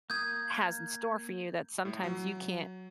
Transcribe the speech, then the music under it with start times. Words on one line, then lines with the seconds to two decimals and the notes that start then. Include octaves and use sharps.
has in store for you that sometimes you can't
0.10 A#3 D#6 G6 G#6
1.85 A2
2.04 F#3